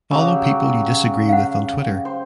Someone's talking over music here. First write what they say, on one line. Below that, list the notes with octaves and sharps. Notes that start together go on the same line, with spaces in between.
Follow people you disagree with on Twitter!
C#3 F#3 G4
F5 F#5
C5